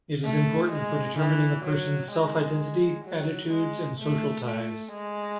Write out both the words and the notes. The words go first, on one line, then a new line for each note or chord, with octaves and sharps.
It is important for determining a person's self-identity, attitudes, and social ties.
A3
G#3
E3
F#3
G#3
F#3
G#3
A3
A3
G#3